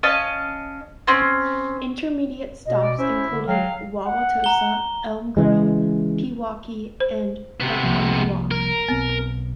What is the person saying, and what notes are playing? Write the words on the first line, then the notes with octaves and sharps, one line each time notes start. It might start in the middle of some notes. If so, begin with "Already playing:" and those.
Intermediate stops included Wauwatosa, Elm Grove, Pewaukee, and Oconomowoc.
C#4 D#5 F5 A5
C4 C#4
B2 D#5
D5
C#4 E4 C5
D3
F#3 F5 G5
F#5
A#5 G7
C#3 E3 G#3
C5
C3 B3
C2 F3 A#3
A#4
B1 B3 C4